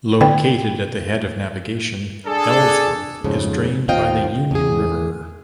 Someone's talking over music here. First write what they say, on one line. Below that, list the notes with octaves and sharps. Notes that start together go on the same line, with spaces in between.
Located at the head of navigation, Ellsworth is drained by the Union River.
D3 B3 G5
D4 G#4 A4
F2 G#2 C#3
D#2 C4 F4 D#5 F5 G5
E2 G#4